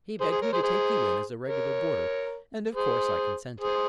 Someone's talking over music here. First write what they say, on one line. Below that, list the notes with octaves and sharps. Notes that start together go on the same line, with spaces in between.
He begged me to take you in as a regular boarder and of course I consented.
G#4 C5
G#4 C5
A#4 C#5
G#4 C5
G#4 C5
A#4 C#5
G#4 C5
G#4 C5